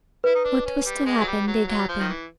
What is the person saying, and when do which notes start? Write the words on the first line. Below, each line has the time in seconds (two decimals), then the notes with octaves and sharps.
What was to happen did happen.
0.24 E4 B4
0.35 D#4
0.44 D4
0.65 C#4
0.85 G3
1.06 G#3
1.20 F#3
1.27 G3
1.47 F#3
1.67 F#3
1.88 F3
1.99 D#3
2.09 E3